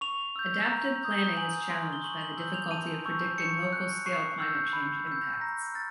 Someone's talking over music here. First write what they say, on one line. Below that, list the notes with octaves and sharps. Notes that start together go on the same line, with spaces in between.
Adaptive planning is challenged by the difficulty of predicting local scale climate change impacts.
C#6 F7
E6 G6
A#5
D#6 G6
G#5 F#7
C6 F6
G7
C#6 F#7
F#7
E6 G6 F#7
F7
A5 D#7
C#6 E6 G6
C#6 C#7
F#6
C#6 C7
E6 G6
B5
E6 G6
A#5 A#6
F6 A6